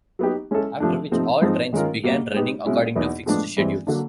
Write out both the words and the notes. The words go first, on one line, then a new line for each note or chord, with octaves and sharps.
After which, all trains began running according to fixed schedules.
F#3 B3 D#4 G4
G#3 C#4 E4 A4
C3 F3 A3 D4
C3 F3 A3 C4 D#4
G#2 F3 G#3 C4 D#4
D#3 G#3 C#4 F4 A#4
B2 G3 A#3
G#3 B3 D#4 G4 B4
B2 G#3 C#4 E4
E2 B2 F#3 B3 D#4
A2 F3 G#3 B3 D4
G2 E3 G#3 C4
D3 F#3 A#3 D4